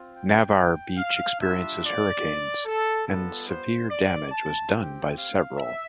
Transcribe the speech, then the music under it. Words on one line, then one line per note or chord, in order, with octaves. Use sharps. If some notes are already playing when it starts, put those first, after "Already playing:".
Navarre Beach experiences hurricanes, and severe damage was done by several.
Already playing: C4 F4
G5
F5
G3 D4 F4 E5
D5
A4
G3 B3 F4 A4
C5
D5
A5
C4 G4 G5
F5
E5